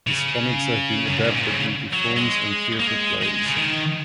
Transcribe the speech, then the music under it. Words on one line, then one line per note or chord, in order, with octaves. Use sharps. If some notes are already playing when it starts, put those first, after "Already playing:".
His comics have been adapted into films and theatre plays.
C#3
F#2
G#2
A#2
C#3
F#3
G#3
A#3
G#3
G#3
C#3
D#3